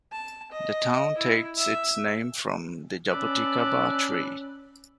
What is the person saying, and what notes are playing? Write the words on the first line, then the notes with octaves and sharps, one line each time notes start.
The town takes its name from the "jabuticaba" tree.
A5
D#5
E4
E5
C#4 A4 B4 D5